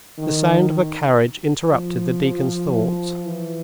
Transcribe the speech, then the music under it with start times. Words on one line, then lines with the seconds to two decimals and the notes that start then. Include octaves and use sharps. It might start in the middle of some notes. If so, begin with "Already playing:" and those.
The sound of a carriage interrupted the deacon's thoughts.
0.18 D#3
1.71 F3
2.23 F3
2.74 F3
3.25 E3